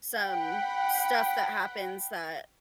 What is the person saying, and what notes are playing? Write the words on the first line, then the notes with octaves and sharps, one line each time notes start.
some stuff that happens that
F#5 G5 B5